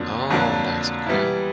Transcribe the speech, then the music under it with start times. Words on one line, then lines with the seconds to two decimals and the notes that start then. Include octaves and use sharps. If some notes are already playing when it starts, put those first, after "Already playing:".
Oh, nice, okay.
Already playing: F2 D3 F#3 A#3 D4
0.30 F2 D3 F#3 A#3 D4
1.07 E3 G3 B3 E4